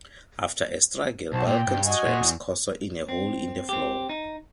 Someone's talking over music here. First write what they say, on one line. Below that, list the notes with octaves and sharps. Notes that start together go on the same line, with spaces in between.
After a struggle, Balkan traps Corso in a hole in the floor.
B1 F#4 C5 A5
A#2 G5
G2
F#4 D#5 G#5
A#2
E2
C4
C4 G4
D#4